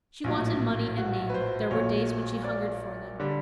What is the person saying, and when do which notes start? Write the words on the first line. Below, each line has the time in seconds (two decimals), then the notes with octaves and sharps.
She wanted money and name; there were days when she hungered for them.
0.24 A#1 A2 F#3
0.98 F#4
1.30 B4
1.34 C5
1.71 A#1 A#2 F#3 C#5
2.44 D5
3.20 D3 G3